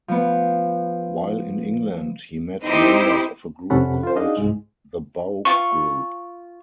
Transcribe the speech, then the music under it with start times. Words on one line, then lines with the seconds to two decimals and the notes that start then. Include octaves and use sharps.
While in England, he met members of a group called the Bow Group.
0.08 F3 B3
2.63 C4 D#4 E4 G4 C5
3.70 F2 C3 C#4 A4 F#5 B5
4.03 F4 C5
4.16 D4 D#4 F#4 G#4 D#5 F5
4.37 C2 G#2 G#3
5.45 F4 C#6